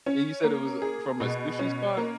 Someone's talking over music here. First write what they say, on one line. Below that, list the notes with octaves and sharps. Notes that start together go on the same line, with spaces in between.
And you said it was, uh, from a sushi spot?
C#4
A#3
G#4
B2
C#4
A#3